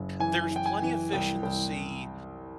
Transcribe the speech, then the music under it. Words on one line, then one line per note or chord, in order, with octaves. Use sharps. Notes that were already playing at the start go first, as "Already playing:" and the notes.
There's plenty of fish in the sea,
Already playing: F#1
E3 G#5
E3
G5
G#5
E3
C2 G5
C2 G5